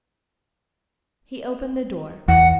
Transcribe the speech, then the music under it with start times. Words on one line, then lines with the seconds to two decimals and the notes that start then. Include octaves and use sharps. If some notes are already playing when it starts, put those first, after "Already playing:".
He opened the door.
2.28 E2 F#5